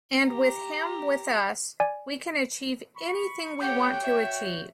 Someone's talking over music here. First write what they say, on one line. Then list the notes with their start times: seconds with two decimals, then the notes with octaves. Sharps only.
And with him with us we can achieve anything we want to achieve.
0.25 G4 A#5
1.80 D5 G#5
2.96 B5 C#6
3.61 A3 G4 C#5 F#5 G5 G6
4.03 F#4 C#5 E5